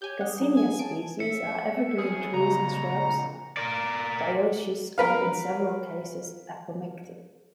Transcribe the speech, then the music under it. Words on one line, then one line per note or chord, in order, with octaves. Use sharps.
"Garcinia" species are evergreen trees and shrubs, dioecious and in several cases apomictic.
G4 C#5 G#5 G6
G#4 F#5
F#3 D#4
G#5
C#4 A5 D7
E5 C#7
C4 C#4 E4 G#4
F2 A#2 C#3 A#5
A#4 D5
A#4 B4 F5